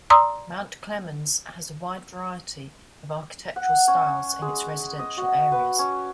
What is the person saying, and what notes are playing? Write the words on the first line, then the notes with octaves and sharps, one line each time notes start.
Mount Clemens has a wide variety of architectural styles in its residential areas.
D5 A#5 C6 D#6 E6
F#5
C#4
G#3
D#5
F#4
B4
C#4